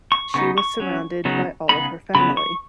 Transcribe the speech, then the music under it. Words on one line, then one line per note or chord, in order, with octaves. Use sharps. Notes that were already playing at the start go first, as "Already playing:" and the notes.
She was surrounded by all of her family.
C#6
C#3 B3 D#4 C#6
C#6
F#3 C#4
C#3 F#3 B3 D#4
C#3 G#3 B3 D#4 B5
C#3 F#3 B3 B5
C#6